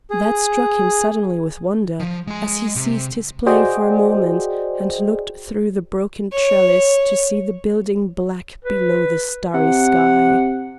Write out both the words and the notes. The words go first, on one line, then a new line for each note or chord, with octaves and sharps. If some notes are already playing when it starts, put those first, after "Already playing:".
That struck him suddenly with wonder, as he ceased his playing for a moment and looked through the broken trellis to see the building black below the starry sky.
G#4
F3
G#3 G#5
C3
F#4 G#4 C5 D5 D#5 G5
C#5
B4
C3 F#5